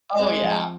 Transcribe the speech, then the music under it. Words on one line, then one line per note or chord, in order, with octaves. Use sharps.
Oh yeah,
G#3 C4
F3